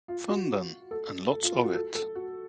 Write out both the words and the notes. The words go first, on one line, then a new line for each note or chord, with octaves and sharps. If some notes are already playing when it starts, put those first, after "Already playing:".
Fun, then, and lots of it.
F4
F#4
A4
A4
F4
F4
F#4
A4
A4
F#4